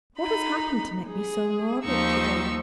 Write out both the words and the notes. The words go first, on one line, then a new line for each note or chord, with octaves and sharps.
What has happened to make me so morbid to-day?
D#4 B5
G#4
D#2 F3 D#4 C#6 E6